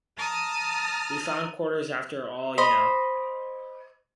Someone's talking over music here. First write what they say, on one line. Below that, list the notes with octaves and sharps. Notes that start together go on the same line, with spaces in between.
We found quarters after all, you know.
A5 A#5 D#6 F6
C5 D#5 B5